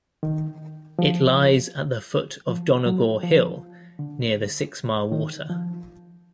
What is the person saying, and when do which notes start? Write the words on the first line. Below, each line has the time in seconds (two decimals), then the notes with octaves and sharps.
It lies at the foot of Donegore Hill, near the Six Mile Water.
0.23 D#3
0.99 F3
2.48 F3
2.86 F#3
3.23 F3
3.99 D3
5.12 D#3
5.49 F3